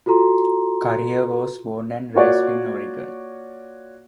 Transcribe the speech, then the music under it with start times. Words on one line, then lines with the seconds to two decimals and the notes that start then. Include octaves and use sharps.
Currier was born and raised in Oregon.
0.06 F4 F#4 A4 A#5 C6
2.15 A#3 F4 F#4 C#5 D5